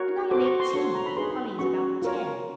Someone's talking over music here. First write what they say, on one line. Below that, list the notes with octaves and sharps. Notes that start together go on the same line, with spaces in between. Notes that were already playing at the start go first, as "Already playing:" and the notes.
"And I am eighteen, Polly is about ten."
Already playing: F#4 A#4 C#5
F#4 A4 C5 D6
C#6
C6
D4 F#4 A4 C#5 C#6
C6
A#5
B5
D#4 G#4 B4 C6
C#4 F#4 B4 C#6
F4 A#4 C#5